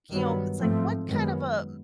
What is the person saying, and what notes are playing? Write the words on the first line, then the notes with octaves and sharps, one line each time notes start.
you know, it's like, what kind of a
G2 D#3 F#3 B3
G#2 F3 A3 C4
F#2 D#3 G#3 B3